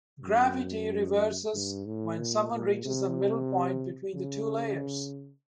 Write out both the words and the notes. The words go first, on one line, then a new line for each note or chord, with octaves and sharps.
Gravity reverses when someone reaches the middle point between the two layers.
F#2
G2
A2
A#2
A#2
C3
C#3